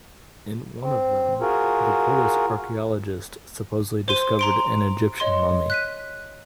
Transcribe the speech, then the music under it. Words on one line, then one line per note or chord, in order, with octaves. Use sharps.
In one of them, the Polish archaeologists supposedly discovered an Egyptian mummy.
C4
F4 F#4 G#4 A#4
C5 C6 D#7
A#5 C6 D7
C#5 D#5 C6
F#6 B6 D#7